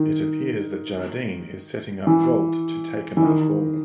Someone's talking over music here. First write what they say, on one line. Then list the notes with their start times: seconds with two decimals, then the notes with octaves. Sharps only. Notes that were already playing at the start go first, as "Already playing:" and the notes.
It appears that Jardine is setting up Galt to take another fall.
Already playing: D#3
2.07 E3
3.17 E3
3.24 D#3